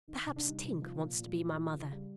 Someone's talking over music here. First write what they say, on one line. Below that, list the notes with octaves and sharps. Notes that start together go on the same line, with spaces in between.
'Perhaps Tink wants to be my mother?'
D#3 D#4
C3
D4
G3 D#4
C3
F3
A#2
A#2
F3
E3
C#3
G3